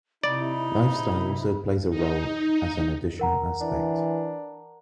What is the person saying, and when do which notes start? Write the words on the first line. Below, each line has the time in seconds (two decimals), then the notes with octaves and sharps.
Lifestyle also plays a role as an additional aspect.
0.24 C3 D#4 E4 D5 B5
1.90 D#4
3.19 A#4 F#5 A#5
3.61 E3 D4